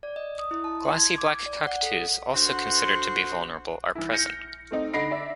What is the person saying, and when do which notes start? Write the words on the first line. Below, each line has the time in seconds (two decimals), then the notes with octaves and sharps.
Glossy black cockatoos, also considered to be vulnerable, are present.
0.03 D5
0.16 D#5
0.39 D#6
0.51 E4
0.64 A5
0.84 C6
0.98 G#6
1.18 D6
1.46 D5
1.67 F#5
1.83 A4
2.34 D3 F#4 C5 F#5 C6
3.95 E3 E4
4.11 F6 G6 A#6 C#7
4.71 A3 C4 D#4
4.93 D3 D#4 B5 A#6 C7 D7
5.11 D5 E5